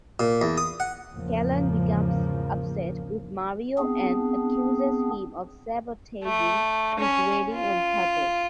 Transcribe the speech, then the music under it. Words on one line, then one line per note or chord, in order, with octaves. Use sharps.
Kalyan becomes upset with Mario and accuses him of sabotaging his wedding on purpose.
A#2
E2
D#6
F#5
E2 G#2 C#3 F3 A#3
B3 C4 D4 G#4
A3
C#4
F4